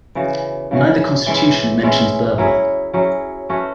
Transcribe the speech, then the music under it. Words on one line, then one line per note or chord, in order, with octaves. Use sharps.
Neither constitution mentions Berber.
C#3 E3 B3 F#4
C#3 E3 B3 F#4
E3 G#3 C#4 E4
E3 G#3 C#4 E4
F#3 C#4 E4 G#4
F#3 C#4 E4 G#4
A3 C#4 F#4 B4